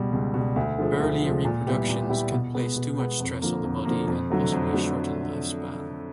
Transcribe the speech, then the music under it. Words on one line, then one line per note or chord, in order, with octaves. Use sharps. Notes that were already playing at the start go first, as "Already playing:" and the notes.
Early reproduction can place too much stress on the body and possibly shorten lifespans.
Already playing: C#2 B2 G3
C#2
B2 G3
D2
D3 F3 G#3
D2
D3 F3 G#3
A#2
G3 B3 E4 G4
A#2
G3 B3 E4 G4
B2
G#3 B3
B2
G#3 B3
F2
D3 F3 A#3
F2
D3 F3 A#3
F2
D3 F#3 A3
F2
D3 F#3 A3